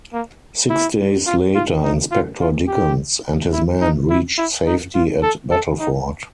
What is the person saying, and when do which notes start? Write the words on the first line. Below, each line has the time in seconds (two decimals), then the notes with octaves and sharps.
Six days later, Inspector Dickens and his men reached safety at Battleford.
0.13 A#3
0.69 E4
1.26 F4
1.55 F4
1.83 D#4
2.11 F4
2.40 F4
2.67 G4
3.52 E4
3.81 D#4
4.09 E4
4.38 E4
4.66 D#4
4.94 F4
5.22 A4
5.51 A4
5.79 D#4